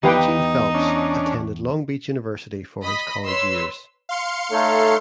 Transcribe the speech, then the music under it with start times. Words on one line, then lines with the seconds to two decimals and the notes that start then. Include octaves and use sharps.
Eugene Phelps attended Long Beach University for his college years.
0.03 E2 D#4 G4 B4 F5 G5 A#5
0.75 C#4 D4
2.82 D#5 B5
3.25 B4 C#5 C6 E6
4.09 F5 C6 C#7
4.52 A3 D#4 A4 C#5